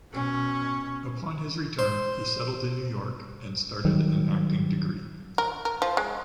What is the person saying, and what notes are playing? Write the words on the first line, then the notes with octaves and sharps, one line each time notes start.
Upon his return he settled in New York and started an acting degree.
B2 C#4
C5
D#3 F#3 G3
A#4
A#4
F3
G#3